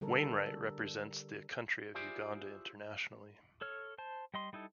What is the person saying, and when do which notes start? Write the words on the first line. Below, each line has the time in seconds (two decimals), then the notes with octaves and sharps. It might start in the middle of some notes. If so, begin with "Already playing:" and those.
Wainright represents the country of Uganda internationally.
0.01 D3 G3 A4 A#4
1.94 E4 F4 G4 G#4 C5 D5
3.61 A4 C#5 F6
3.98 C5 A5
4.34 G3 D#5 C6
4.53 G3 D#4 E4 A4